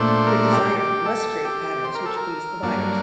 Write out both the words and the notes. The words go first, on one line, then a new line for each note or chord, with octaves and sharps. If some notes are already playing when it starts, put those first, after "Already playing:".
The designer must create patterns which please the buyers.
Already playing: A#2 A3 D4 C5
A#4
G4
G4
A4
G4
C5
A#4
A4
A#4
G2 F#3 A#3 D4